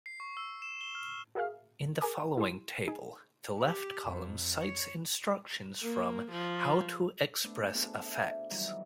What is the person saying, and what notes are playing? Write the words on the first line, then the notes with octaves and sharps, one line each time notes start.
In the following table, the left column cites instructions from how to express affects.
C7
C#6
E6
E7
G7
F6
F#4 G#4 A#4 E5 F5 F6
G#4 A#4 G#5 D6 D#6
E4 G4 C6
D#4 G#4
G4
F2
C#5
A#3
F3
A3 B3 C4 D4 E6
B3 C4 D4 F#4 G#4 A4
E5
F5
D#3 E3 F#3 G3 D#4 E4